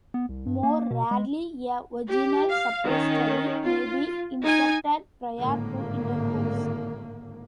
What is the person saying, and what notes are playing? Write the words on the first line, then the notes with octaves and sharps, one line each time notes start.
More rarely, a vaginal suppository may be inserted prior to intercourse.
B3
C2
G2
A#3
B2
G#3
G4
F5
D#3 C#4
F4
D#4 G#5
G#1 A2 D3 A#3